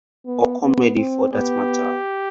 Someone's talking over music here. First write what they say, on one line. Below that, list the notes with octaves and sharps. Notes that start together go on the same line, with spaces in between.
Or comedy for that matter.
B3
B3
C4
B3 G4